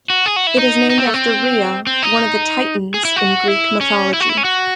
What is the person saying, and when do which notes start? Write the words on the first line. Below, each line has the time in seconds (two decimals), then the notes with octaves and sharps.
It is named after Rhea, one of the Titans in Greek mythology.
0.10 F#4
0.26 G#4
0.36 F#4
0.47 E4
0.58 D#4
0.90 D#4
0.98 C4
1.07 A3
1.14 C4
1.87 C4
2.03 D#4
2.94 G#4
3.05 E4
3.16 F#4
3.48 E4
3.81 C#4
4.13 E4
4.20 F#4
4.29 E4
4.37 C#4
4.45 F#4